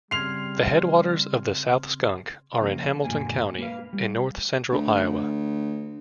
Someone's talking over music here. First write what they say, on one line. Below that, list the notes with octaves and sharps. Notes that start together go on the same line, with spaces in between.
The headwaters of the South Skunk are in Hamilton County in north central Iowa.
C#3 G3 C4 C6 F6 G#6 C7 F7
C#3 F3 A#3
F#2 A#2 D3 A#3 G#5
A#3 B4 F5
G3
D2